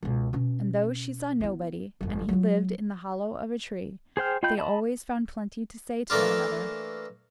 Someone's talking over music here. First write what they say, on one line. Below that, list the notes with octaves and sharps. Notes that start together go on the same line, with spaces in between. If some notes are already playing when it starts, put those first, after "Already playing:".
And though she saw nobody and he lived in the hollow of a tree, they always found plenty to say to one another.
C#2 B2
B2 C#4
B3 E4
G1 F2
F#3 F4
G#4 C5 G5 F6
F4 D#5 G5 B5 G6
D#5 A5 B5
E3 A3 A#3 D4 F4